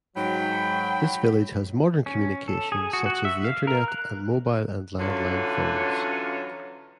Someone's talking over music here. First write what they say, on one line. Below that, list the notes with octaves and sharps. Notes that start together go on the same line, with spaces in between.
This village has modern communications such as the internet and mobile and landline phones.
G#2 F#3 G5 B5
C#4
A4
G#4
F#4
F#4
E5
F5
A#4
F#6
D3 E3 F#3 C#4 F4